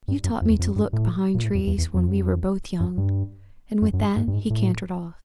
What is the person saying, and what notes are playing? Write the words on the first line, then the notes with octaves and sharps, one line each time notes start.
"You taught me to look behind trees when we were both young." And with that he cantered off.
G2
F#2
F2
E2
F2
F#2
G2
A2
A#2
A2
F2
E2
E2
F2
F#2
F2
F#2
G2
F#2
F#2
G2
G#2
G2
G#2
A2